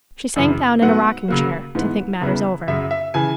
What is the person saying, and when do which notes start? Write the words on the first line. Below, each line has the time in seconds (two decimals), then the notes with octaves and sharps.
She sank down in a rocking chair, to think matters over.
0.36 F#2 C#3 E3
0.82 G#2 F#3 B3 F#5
1.28 C#3 F#3 A#3
1.75 G#2 E3 B3
2.21 E2 C#3 E3 B3 E4
2.67 F#2 C#3 F#3 E5
2.91 E5
3.14 C#3 E3 G#5